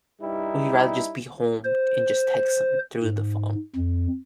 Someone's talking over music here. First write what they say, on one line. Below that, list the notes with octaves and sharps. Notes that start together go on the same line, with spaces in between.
would you rather just be home and just text 'em through the phone?
G2 G3 D#4 E4
C5
G#2
F2